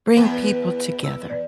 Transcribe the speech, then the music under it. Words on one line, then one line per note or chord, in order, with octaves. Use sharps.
bring people together?
E2 B3 B4
E6
D5